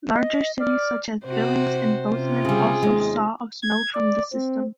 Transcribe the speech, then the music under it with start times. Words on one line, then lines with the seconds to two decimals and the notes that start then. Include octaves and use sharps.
Larger cities such as Billings and Bozeman also saw of snow from the system.
0.13 D#5
0.60 D5 F6
1.25 C3 F#4 C5
2.12 C3 C#4 F4
2.45 C#3 G3 G#4
2.83 D#2 G#3
3.62 G#6
3.94 D5
4.33 C4